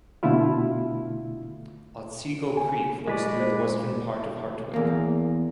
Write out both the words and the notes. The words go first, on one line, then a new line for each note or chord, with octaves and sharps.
Otsego Creek flows through the western part of Hartwick.
B2 D3 A3 E4 F4
G#5
G#3 G4 B4 D5
C5
E2 A#3